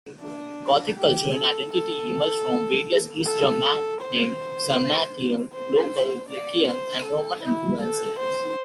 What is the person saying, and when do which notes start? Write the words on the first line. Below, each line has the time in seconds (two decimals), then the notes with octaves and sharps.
Gothic culture and identity emerged from various East-Germanic, Sarmatian, local Dacian, and Roman influences.
0.20 D4
0.97 G4
1.35 A4
1.73 A4
3.25 A4
4.01 C5
5.53 C5
6.29 D5
6.68 C5
7.05 A4
7.43 E4
7.82 A4
8.19 C5